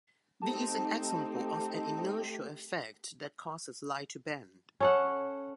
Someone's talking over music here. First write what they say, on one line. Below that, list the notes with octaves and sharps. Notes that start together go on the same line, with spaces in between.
This is an example of an inertial effect that causes light to bend.
A3 C4 D#4 G4 A5
C#4 A4 F#5